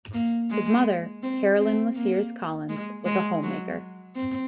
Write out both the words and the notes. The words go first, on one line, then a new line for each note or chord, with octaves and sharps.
His mother, Carolyn LaSears Collins, was a homemaker.
A#3
G#3
C4
C4
A#3
G#3
G#3
F#3
C4